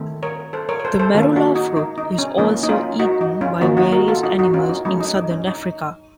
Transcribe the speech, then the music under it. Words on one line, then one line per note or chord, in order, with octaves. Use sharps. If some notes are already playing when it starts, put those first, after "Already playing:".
The marula fruit is also eaten by various animals in Southern Africa.
Already playing: D#3 A3 C4
A#4 C#5
A4 C5
A#4 C#5
C#5
A4 C5
A4 C5
D#3 A#3 C#4 F4 A4
D#4 F#4
D#4
D#4
D#4
C#4
F3 A#3 C#4 D#4
D#4
C#4 F4
D#4 F#4
D#4
C#4 F4
D#3 A#3 C#4 D#4 F#4
D#4 F#4
F#4 A#4
F4 A4
D#4 F#4
D#4 F#4
C#4 F4
D#4
F#3 A3 C#4 D#4
D#4
D#4
C#4
D#4